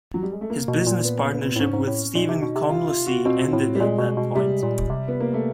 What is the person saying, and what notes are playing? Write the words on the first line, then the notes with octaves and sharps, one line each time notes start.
His business partnership with Stephen Komlosy ended at that point.
F#3
G3
G#3
A3
A#3
B2
A#2
B3
B3
B3
C4
A2
G#2 C#4
G#2
A2
A#2 D#4
C3
B2
C3
F4
F4
F#4
B2 C4
A2
G3
A#2 G#3
B2
B2
C3 G3
A#2
C3
B3
A#3
A3